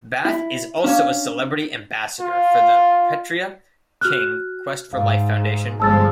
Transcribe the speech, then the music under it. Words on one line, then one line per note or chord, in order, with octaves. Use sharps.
Bath is also a Celebrity Ambassador for the Petrea King Quest for Life Foundation.
E4
C#4 D4 C#5 F5
F4
F#4 F6 F#6
G#2 F5
G1 F3 G#3 A5 E6 A6